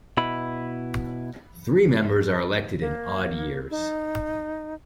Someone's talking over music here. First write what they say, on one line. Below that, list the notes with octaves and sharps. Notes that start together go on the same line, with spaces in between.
Three members are elected in odd years.
B2 E4 B4 B5
A#3
D#4